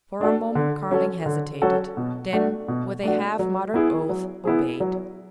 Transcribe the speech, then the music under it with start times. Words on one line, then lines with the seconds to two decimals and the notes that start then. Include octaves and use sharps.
For a moment Carling hesitated; then, with a half-muttered oath, obeyed.
0.20 A3 D4 F#4 A4
0.55 D3
0.91 F#3 C#4 F#4 A4
1.26 D3
1.62 F#3 C#4 F#4 A4
1.97 B2
2.33 A3 D4 F#4
2.68 B2
3.03 A3 D4 F#4
3.39 F#3
3.74 B3 E4 G#4
4.09 F#3
4.45 B3 E4 G#4
4.80 F#3